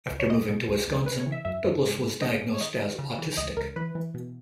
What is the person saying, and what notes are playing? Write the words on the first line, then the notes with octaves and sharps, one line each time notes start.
After moving to Wisconsin, Douglas was diagnosed as autistic.
C#2
C#5
B2 D#5
B2
C#2
C#2
C#3 B4
C#5
E3
E5
F#2 E5
F#2
G#2
G#2
G#2 D#5
G#2
C#5
D#3 D#5
D#3
C#3
E3
C#2 D#5
C#2 A#4
E3 B4
E3
B2